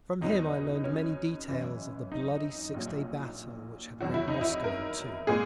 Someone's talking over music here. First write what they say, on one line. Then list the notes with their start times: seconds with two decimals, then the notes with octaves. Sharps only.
From him I learned many details of the bloody six-day battle which had rent Moscow in two.
0.21 E2 B2 F#3 D#4
0.84 C#4
1.48 F#1 F#2 E3
2.12 D#4
2.74 A#1 A#2 F#3
4.01 E2 D#3 F#3 F#4
4.14 E4
4.28 D#4
4.41 E4
4.64 A#4
5.27 A#2 G#3 G#4